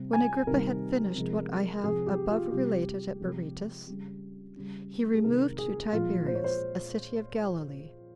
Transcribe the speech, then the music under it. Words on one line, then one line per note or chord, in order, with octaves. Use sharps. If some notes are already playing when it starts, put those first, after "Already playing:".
When Agrippa had finished what I have above related at Berytus, he removed to Tiberias, a city of Galilee.
Already playing: C3 G3
G#5
C3 D#3 G3 A#4
C3 F3 G#3
C3 F3 G#3 G#4
G4
F4
C3 G3 G4
C3 F3 G#3
C#3 G3
C#3 G3
G#4
C3 D#3 G#3 A#4
G#4
A#2 F3 G#3 F4
C5
C#5
C5